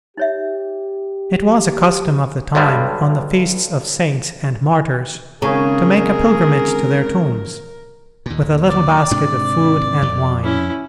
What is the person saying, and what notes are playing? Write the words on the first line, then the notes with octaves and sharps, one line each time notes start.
It was a custom of the time on the feasts of saints and martyrs to make a pilgrimage to their tombs, with a little basket of food and wine.
D#4 G4 C#5 E5
B1 G2 D3 G3 G#3
G#1 C#3 G#4 A#4
D#2 A#2
D5
G#2 C3 D4
F2
C#4 E4